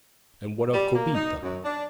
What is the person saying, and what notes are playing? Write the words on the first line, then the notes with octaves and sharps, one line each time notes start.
"And what of Kobita?"
G3
A#3
D#4
F#2
D4